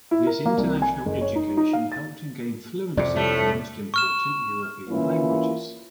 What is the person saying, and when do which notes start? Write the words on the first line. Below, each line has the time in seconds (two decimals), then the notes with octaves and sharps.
This international education helped him gain fluency in the most important European languages.
0.11 E4
0.27 A#4
0.46 A#3
0.58 C2
0.82 G#5
1.06 F#1
1.21 C#5
1.35 D#4
1.57 D#4
1.73 F5
1.92 A6
2.97 F2 C3 D5
3.16 A2 A3
3.94 C#6 F6 E7
4.89 E3 A#3 C#4 E4 F4